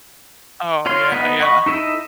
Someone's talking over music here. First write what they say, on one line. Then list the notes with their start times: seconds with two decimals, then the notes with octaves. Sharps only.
Oh, yeah yeah.
0.86 F4 C#5 F5 C6
1.12 B3 D#4 B4
1.39 D#5 F#5 B5 C#6
1.66 D#4 E4 A4 D#5 E5